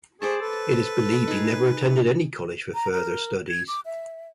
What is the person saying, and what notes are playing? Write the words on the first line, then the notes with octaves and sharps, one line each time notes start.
It is believed that he never attended any college for further studies.
A3 G#4 C5 D5 A5
A4 B4
D#4 G#4
A#5
A#4
G#6
D6
E5